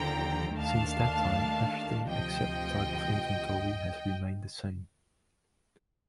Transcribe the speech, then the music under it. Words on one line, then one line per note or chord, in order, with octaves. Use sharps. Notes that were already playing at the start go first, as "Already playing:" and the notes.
Since that time, everything except the type of inventory has remained the same.
Already playing: D#2 D3 F3 G5 A#5
D#2 D#3 A3 D4 F5 A5
D2 C3 F3 D#5 G5